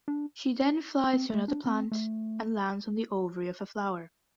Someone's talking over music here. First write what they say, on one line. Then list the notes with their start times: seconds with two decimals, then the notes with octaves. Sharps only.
She then flies to another plant and lands on the ovary of a flower.
0.08 D4
1.13 C4
1.30 A3
1.48 D4
1.66 C4
1.92 A3